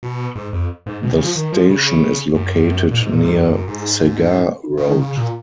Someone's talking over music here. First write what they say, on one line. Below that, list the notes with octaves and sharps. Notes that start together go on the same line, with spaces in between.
The station is located near Segar Road.
B2
G#2
F2
G#2
B2
C#3
F3
D#3
F3
C#3
F#2
A#2
G#2
A#2
G#2
F#2
F#2
G#2
C#3
D#3
C#3
A#2